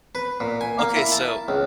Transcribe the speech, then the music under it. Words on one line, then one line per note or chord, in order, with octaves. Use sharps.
Okay, so,
B4
A#2
G#5
A#3
E4
A5
C#2